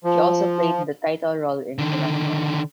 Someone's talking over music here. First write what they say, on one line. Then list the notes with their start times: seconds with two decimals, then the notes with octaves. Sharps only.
She also played the title role in "Turandot".
0.04 F3
1.78 D3 D#3